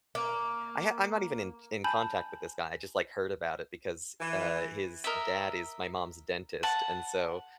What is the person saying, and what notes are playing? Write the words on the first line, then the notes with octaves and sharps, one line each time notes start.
I h I'm not even in t in contact with this guy. I just, like, heard about it because, uh, his dad is my mom's dentist, and so,
A#3
G#5 A5 B5 G6 F#7
E3
A#4 D#5 E5
F#5 A5